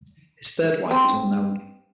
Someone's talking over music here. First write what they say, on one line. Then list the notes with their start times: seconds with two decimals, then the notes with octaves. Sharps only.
His third wife is unknown.
0.91 C4